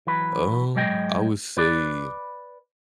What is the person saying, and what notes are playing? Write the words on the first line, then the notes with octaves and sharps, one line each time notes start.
U um, I would say
E3 F#3 B4
G#2 F#3 G#3 D#5 G5
B4 D5